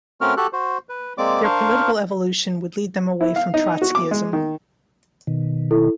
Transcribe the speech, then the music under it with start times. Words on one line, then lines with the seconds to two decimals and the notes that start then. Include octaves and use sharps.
Their political evolution would lead them away from Trotskyism.
0.21 A3 C4 C#4 F#4 A#4 F6
0.37 F#4 G4 A4 F#6
0.53 F#4 C5
0.89 B4
1.18 G#3 A#3 C4 D5 D6
1.44 D4 A#4 C5 F5 C#6
3.21 E4
3.36 F5
3.54 D#4
3.82 F#4
3.95 D6
4.11 G#3
4.33 D#3
5.27 B2 D#3
5.71 E4 A4